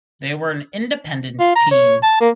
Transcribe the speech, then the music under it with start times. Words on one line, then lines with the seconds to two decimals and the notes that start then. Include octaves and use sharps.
They were an independent team.
1.39 F4
1.56 A#5
1.71 C#5
2.03 A5
2.20 A#3